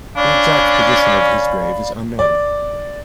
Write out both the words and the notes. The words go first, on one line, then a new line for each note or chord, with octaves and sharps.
The exact position of his grave is unknown.
C#4 D4 D5 F5 B5
D5